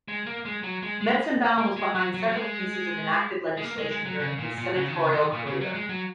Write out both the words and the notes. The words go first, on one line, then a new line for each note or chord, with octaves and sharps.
Metzenbaum was behind several pieces of enacted legislation during his senatorial career.
G#3
A#3
G#3
F#3
G#3
G#3
A#3
G#3
F#3
F#3
F#3
G#3
G#3
A#3
G#3
G#3
F#3
C#3
A#2
A#2
C#3
D#3
C#3
D#3
A#2
C#3
F#3
G#3
F#3